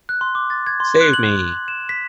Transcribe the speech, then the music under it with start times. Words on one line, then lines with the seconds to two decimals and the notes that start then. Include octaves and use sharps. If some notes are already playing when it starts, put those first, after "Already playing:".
Save me!
0.09 F#6
0.21 C6
0.35 D6
0.50 A6
0.67 G#6
0.80 C6
1.01 F#6
1.13 F#7
1.68 E7
1.89 B6